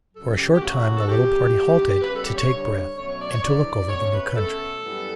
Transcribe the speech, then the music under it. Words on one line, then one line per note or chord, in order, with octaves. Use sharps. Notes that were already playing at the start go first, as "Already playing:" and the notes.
For a short time the little party halted to take breath and to look over the new country.
F#2 C#3 F#3 A4
G4
G4
F#2 C#3 F#3 A3 C#4 F#4
A4
E2 C#3 F#3 G4
G2 F#3 A3 C#4
C#3 G3 B3 B4
A4
G4
C#5
G2 D3 G3 C#5
B2 F#3 A3 C#4 C#5
C#5
D5
C#5
E2 D3 F#3 B3 D5
B2 A3 C#4 C#5
B4
B2 A3 C#4 A4
F#2 E3 G3 B3